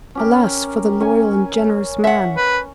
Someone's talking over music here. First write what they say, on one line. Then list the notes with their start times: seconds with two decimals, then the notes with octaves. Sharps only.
Alas, for the loyal and generous man!
0.15 C#4 G4 A#4
1.01 C#4 G#5
2.04 E5 F#5
2.37 B4